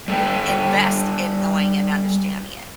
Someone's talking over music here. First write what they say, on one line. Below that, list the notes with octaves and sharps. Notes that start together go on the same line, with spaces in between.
invest in knowing and understanding it.
G3 A4 B4 G5